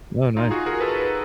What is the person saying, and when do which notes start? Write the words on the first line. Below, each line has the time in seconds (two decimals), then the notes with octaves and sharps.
Oh, nice.
0.37 D#4 F4
0.51 F#4 G#4
0.66 G#4 A#4
0.81 A4 B4